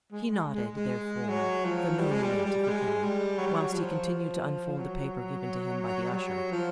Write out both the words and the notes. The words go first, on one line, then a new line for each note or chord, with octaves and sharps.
He nodded, therefore, familiarly to Fouquet, whilst he continued to unfold the paper given to him by the usher.
G#3
G#3
G#3
G#3
F#3
F3
G3
G#3
G3
G3
G3
G#3
G3
F#3
G3
F#3
F3
F3
F#3
G3
F#3
F3